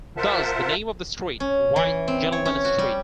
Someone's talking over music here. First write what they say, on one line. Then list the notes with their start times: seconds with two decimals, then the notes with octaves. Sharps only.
Thus the name of the street; "White gentlemen street".
0.17 F4 A#4 C5 E5 F#5 A5
1.40 C#4
1.76 E3
2.08 C4
2.32 C#5
2.45 C#4
2.65 F#4
2.79 G3